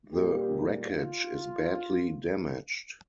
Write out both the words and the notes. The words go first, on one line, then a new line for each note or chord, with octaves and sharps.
The wreckage is badly damaged.
A#2 G3 A#3 G4
F4